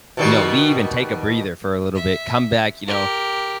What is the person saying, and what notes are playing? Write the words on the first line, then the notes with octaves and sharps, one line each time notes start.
you know, leave and take a breather for a little bit, come back, you know,
B2 D#3 G3
E5
G4 A#4